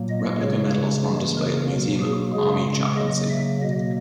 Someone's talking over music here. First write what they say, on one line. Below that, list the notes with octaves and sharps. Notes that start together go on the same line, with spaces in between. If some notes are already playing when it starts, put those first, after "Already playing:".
Replica medals are on display at the Museum of Army Chaplaincy.
Already playing: A#2 F#3 A#3
D#5
C#3 G#3 C#5
C#3 E3 A#3
A#4
B2 F#3 A#3
G#4
C#3 G#3 G#4
C#3 F#3 A#3 D#5
E5
B2 F#3 A#3 D#5